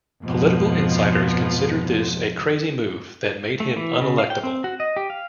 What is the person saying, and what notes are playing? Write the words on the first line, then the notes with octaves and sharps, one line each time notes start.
Political insiders considered this a crazy move that made him unelectable.
F2 G#2 B2 F3
A3
E3
C#3
F5
G5
C4
F#4
D#5
G4
F5